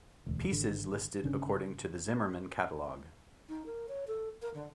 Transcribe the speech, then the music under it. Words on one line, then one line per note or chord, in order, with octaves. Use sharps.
Pieces listed according to the Zimmerman catalogue.
E1 D2
G#1 D3
G1 C#3 C#4 D4
D#4
A#4
C#5
A4
A#4
D3